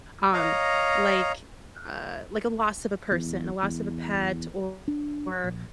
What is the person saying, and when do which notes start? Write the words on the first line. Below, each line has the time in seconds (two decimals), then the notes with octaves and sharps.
Um, like, uh, like a loss of a person, a loss of a pet, or
0.34 C#5 D#5 F5 A#5
3.12 E2
3.63 E2
4.88 D4
5.44 A#1